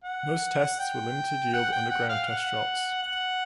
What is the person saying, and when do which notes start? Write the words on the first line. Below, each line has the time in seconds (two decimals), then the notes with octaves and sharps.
Most tests were limited-yield underground test shots.
0.04 F#5
0.79 G5
1.54 F#5
1.72 G5
1.90 F#5
2.09 F5
2.27 F#5
3.03 F#5